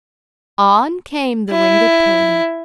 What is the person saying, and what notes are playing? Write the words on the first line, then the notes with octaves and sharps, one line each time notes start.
On came the winged pony.
E4